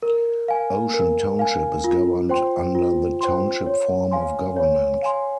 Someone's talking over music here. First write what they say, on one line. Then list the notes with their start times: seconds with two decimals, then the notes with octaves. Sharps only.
Ocean Township is governed under the Township form of government.
0.02 A#4
0.48 F5 G#5
0.94 A#4
1.39 F5 G#5
1.84 F4
2.29 C5 G5 C6
2.75 F4
3.21 C5 G5 C6
3.66 C#5
4.11 F5 G#5 C6
4.56 C#5
5.02 F5 G#5 C6